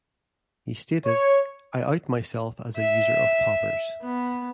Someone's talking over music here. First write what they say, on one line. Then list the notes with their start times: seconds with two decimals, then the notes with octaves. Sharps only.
He stated, I out myself as a user of poppers.
1.06 C#5
2.76 E5
4.02 B3